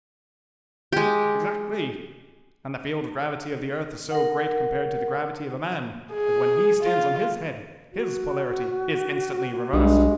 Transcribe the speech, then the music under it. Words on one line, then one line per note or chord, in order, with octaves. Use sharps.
"Exactly, and the field of gravity of the earth is so great compared to the gravity of a man that when he stands on his head, his polarity is instantly reversed."
G#3 G4
A#4 F#5
G#4
F4
F#4
B1 G2 G#3